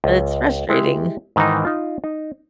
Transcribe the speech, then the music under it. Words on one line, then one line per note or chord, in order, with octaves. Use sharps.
But it's frustrating.
C#2
G#3 E4 G4
G#2 D#3 E3 D#4
D#4 F4
D#4